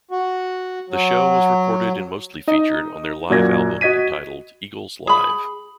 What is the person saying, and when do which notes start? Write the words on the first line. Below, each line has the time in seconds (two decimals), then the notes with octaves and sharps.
The show was recorded and mostly featured on their live album, entitled "Eagles Live".
0.11 F#4
0.90 F#3
2.47 D#4 D#5
3.30 F#2 A#2 F#4 D5 G#6 A#6
3.81 F#4 D#5 G#6 B6 D#7
5.07 G#4 B5